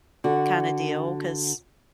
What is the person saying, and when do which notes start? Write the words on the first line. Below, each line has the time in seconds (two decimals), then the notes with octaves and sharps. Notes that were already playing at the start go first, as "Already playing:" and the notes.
kinda deal 'cause
0.24 D3 F#4